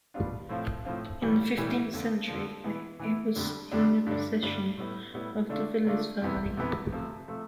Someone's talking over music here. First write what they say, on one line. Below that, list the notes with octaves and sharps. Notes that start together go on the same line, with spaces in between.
In the fifteenth century, it was in the possession of the Villars family.
B2 G3 B3 D4 F4
A2 F3 C4 F4
A2 F3 C4 F4
A2 E3 G3
A2 E3 G3
F2 D3 F3
F2 D3 F3
E3 B3 E4
E3 B3 E4
F2 D3 G3 D4
F2 D3 G3 D4
G2 D3 G3 D4
G2 D3 G3 D4
A2 G3 B3 E4
A2 G3 B3 E4
D3 A3 D4 F4
D3 A3 D4 F4
F2 C3 E3 B3 E4
F2 C3 E3 B3 E4
C3 F3 A3
C3 F3 A3